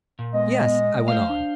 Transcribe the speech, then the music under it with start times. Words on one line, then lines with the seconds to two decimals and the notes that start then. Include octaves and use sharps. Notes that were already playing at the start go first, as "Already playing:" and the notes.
"Yes," I went on.
0.19 A#2
0.34 G#3 B3 D#5
1.08 A3 C5 F5
1.29 D4